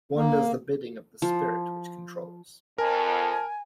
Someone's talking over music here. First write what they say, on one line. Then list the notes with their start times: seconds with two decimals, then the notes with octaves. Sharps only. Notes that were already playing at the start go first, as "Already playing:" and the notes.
One does the bidding of the spirit which controls.
0.17 A#3
1.22 F3
2.78 F2 A#4 G#5 A5